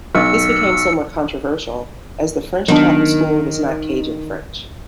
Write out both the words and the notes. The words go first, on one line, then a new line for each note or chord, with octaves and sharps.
This became somewhat controversial as the French taught in school was not Cajun French.
B1 E6 C#7
D#3 F#3 B3 D4